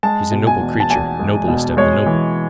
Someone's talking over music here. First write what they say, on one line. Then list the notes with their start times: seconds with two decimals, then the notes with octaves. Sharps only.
She's a noble creature, noblest of the noble.
0.03 G#3 A5
0.32 B2
0.47 G#5
0.60 E2
0.80 A5
0.90 E2 G#5
1.19 G#3
1.48 B2
1.77 G#3 C#5
2.06 E3